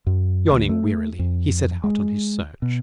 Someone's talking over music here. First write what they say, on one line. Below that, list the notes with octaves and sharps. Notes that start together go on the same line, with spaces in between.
Yawning wearily he set out on his search.
F#2
D2
A3
F2
G#3
B2